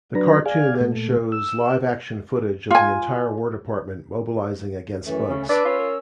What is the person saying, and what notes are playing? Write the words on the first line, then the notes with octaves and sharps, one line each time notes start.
The cartoon then shows live-action footage of the entire War Department mobilizing against Bugs.
F#3 D4 B4 A#5
G#4 D5 F5 G#5
A#2 A3
E6
F4 G#5
F#2 E3 A3 C#4
C#3 C#4
D4 B4 D5 E6
C#4 F4
A#4